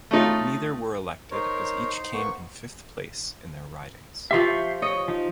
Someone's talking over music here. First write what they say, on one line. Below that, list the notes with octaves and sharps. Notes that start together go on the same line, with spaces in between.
Neither were elected as each came in fifth place in their ridings.
A3 C#4 D#4 F4
D#4 A#4 C5 C#5
A#3 B3 C#6
F3 G4 E5 C6 C#6
C#5 D#5
F3 D#4